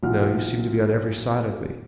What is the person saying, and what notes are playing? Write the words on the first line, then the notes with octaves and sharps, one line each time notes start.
"No; you seem to be on every side of me."
B1 A#2 E3 F4 F#5 F6